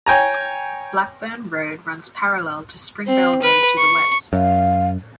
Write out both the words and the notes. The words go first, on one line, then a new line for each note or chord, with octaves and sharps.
Blackburn Road runs parallel to Springvale Road to the west.
C#5 G5 G#5 A#5
C4
B4
C#6
F#2 F5